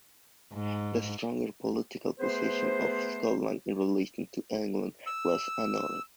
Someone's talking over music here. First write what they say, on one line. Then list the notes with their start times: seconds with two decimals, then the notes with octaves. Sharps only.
The stronger political position of Scotland in relation to England was another.
0.53 G#2
2.19 A3 B3 G#4 B4 C5
5.07 E6